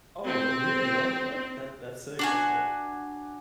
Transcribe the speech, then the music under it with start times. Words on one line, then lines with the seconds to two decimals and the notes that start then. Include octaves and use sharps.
Oh, oh, really, oh, what, that that's sick, what the
0.24 C4
2.19 D4 F#4 G#5